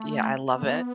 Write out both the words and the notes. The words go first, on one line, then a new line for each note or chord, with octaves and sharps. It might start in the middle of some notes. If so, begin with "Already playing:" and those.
Yeah, I love it.
Already playing: A3
B3
A3
B3